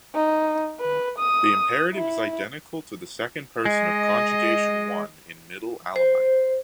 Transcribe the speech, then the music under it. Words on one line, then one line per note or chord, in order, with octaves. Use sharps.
The imperative is identical to the second person of Conjugation I in Middle Elamite.
D#4
B4
D#6
E4
G#3 D#5
C5